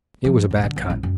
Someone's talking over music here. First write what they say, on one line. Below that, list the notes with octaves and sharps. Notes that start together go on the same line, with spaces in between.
It was a bad cut.
F3
D#1
D3
B1
A1
F#2